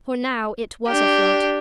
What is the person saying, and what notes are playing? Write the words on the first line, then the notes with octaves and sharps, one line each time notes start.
For now it was a flood.
D4 G4